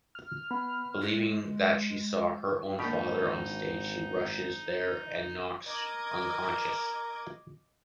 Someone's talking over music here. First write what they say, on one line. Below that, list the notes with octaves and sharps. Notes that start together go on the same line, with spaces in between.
Believing that she saw her own father on stage, she rushes there and knocks unconscious.
F6
B3 F#5 B5
G#3
G#1 B2 A#3 D4 D#4 G4
A#4 D#5 D6 G#6